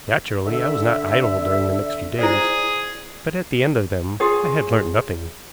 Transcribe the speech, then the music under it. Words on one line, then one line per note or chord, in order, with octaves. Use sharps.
Naturally I was not idle during the next few days, but at the end of them I had learnt nothing.
D3 E5
E4 G#4 C5 D5
F4 G#4 C#5